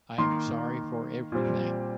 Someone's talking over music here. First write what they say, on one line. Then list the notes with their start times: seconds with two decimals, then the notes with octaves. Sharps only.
I am sorry for everything.
0.18 D#3 A#3 C6
1.32 A#2 G3 C4